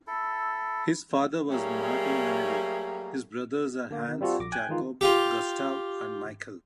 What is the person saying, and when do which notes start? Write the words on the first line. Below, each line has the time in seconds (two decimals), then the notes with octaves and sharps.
His father was Martin Venedey, his brothers are Hans, Jakob, Gustav and Michael.
0.07 E4 A4
1.49 F#3 G3 A3 A#3 C#4 G#4
3.90 D3 A#3
4.08 D#3
4.21 G3 C4 F4 F#4 A4
4.39 A#1 D6 A#6
4.52 G5 G#5 F#6 G#6
4.69 D#3 E3 G#3 D#4 F4
5.01 F4 G4